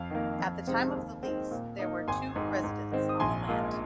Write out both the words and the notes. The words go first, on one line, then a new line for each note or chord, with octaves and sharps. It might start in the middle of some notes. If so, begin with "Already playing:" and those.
At the time of the lease there were two residents on the land.
Already playing: F2 F5
D#3 A#3
F2
C3 G#3 C4 D#4
D#2
D#3 G#3 C4
A#2
A#3 D#4
G#1 G#5 C6
G#2 D#3
G#2
D#3 G#3 C4
D#6
A#1 G#5 C6
A#2 G#3 F4